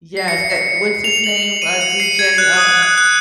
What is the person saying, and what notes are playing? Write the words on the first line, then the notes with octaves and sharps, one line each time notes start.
Yes, that what's his name? Uh, DJ, um
C7
C#7
F7
F#7
F7
D#7
C#7
C7
G#6
F#6
D#6
F#6
F#6